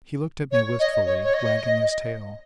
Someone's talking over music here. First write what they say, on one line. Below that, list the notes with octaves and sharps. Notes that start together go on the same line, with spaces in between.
He looked at me wistfully, wagging his tail.
C#5
D#5
C#5
C#5
D#5